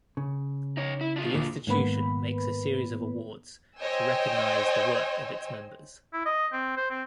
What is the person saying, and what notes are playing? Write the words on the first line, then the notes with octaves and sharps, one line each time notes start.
The Institution makes a series of awards to recognise the work of its members.
C#3
D#4 C#5
E4
D4 F4 G#4
D2 A#2
G#2 D#3 A#3 B3 B4 B5
C5 C#5 D#5 G5 G#5 E6
E4
D#5
C4
C5
C4